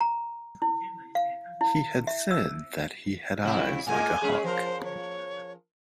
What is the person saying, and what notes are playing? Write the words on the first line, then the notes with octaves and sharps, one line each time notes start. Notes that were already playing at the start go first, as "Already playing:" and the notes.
He had said that he had eyes like a hawk.
A#5
E4
F5
E4
E5
E6
F2 C3 E4
A2 G#3 A#3 G#5
G#3 C#4 G#4
F3 A#4 C5
C#5